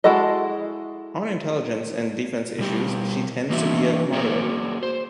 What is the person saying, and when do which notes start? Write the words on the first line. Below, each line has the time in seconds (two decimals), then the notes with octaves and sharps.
On intelligence and defense issues, she tends to be a moderate.
0.04 G#3 E4 F#4 A4 D#5
2.58 B2 G3 G4
3.50 E3 A#3 D4 D#4 F#4 E5
4.13 A#3 F#4 G#4 D5
4.83 C5